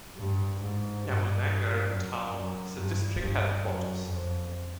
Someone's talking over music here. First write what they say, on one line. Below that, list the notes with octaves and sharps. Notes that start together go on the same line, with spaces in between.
Yamunanagar town is the district headquarters.
G2
G#2
G2
F#2
F#2
G2
G2
F#2
F2